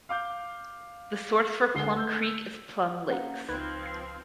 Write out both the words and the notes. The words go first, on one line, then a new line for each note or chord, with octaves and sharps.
The source for Plum Creek is Plum Lakes.
F5 D6 G6
D2 D3 G#3 F#5 C7 G7
A3 E6 G6
A#3 C#4 F5 F#5 A#5
C#2 F3 C4 D#4 B4 B5 F#6 G#6
G#6 C7